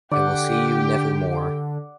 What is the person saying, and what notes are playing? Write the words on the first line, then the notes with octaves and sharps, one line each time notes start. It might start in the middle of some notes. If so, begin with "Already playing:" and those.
I will see you never more.
D3 G4 D5 F#5 G5